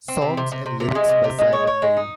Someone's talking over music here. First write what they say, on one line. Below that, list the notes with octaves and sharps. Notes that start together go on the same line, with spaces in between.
Songs and lyrics by Simon Neil.
C4
C3
C3
C3
C3
C3
G#3
C3
C3
G#3
C#5
C#5
G#3
D#4